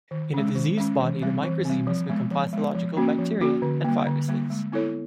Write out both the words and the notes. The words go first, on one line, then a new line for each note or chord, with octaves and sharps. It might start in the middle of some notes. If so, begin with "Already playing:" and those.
In a diseased body, the microzymas become pathological bacteria and viruses.
D#3
G#3 C#4
D#3
G#3 C#4
E3
G3 C4
E3
G3 C4
F3
G#3 B3
F3
G#3 B3
F3
A#3 C#4 F#4
F3
A#3 C#4 F#4
D3
G3 A#3
D3
G3 A#3
G#3
B3 E4 A4 C#5